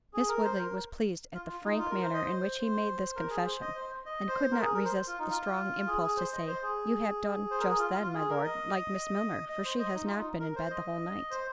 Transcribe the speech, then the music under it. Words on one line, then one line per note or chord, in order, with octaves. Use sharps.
Miss Woodley was pleased at the frank manner in which he made this confession, and could not resist the strong impulse to say, "You have done just then, my Lord, like Miss Milner, for she has not been in bed the whole night."
G#4
A#4
C5
A#4
F4
F4
D#4
F4
A#4
C5
D#5
C5
A#4
G#4
C5
D#5
C5
D#5
C5
A#4
G#4
A#4
C5
F4
D#4
F4
G#4
G#4
C5
D#5
C5
G#4
C5
A#4
G#4
F4
F4
F4
G#4
A#4
D#5
D#5
C5
D#5
D#4
F4
D#4
A#4
C5
D#5
C5